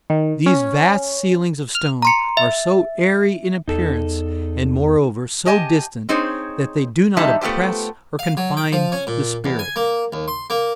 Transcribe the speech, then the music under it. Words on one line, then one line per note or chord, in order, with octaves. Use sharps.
These vast ceilings of stone are so airy in appearance, and moreover so distant, that they do not oppress or confine the spirit.
D#3
C#4
F6
A#5 C6 C#7
E5
E2 D#4 A4
G4 D#5 G#5 A5
C4 D#4 G#4 C5 C#5
E2 G3 G#3 D#4 E5 A5
A3 B3 F4 G4 C5
F5
F#3
G5
F3
C#4
A#2
E2
G#5
A#3
D#2
C6
A#3